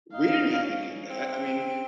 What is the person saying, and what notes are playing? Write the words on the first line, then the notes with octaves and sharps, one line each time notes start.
We didn't have any of that. I mean,
D#4 F5
C#4
C4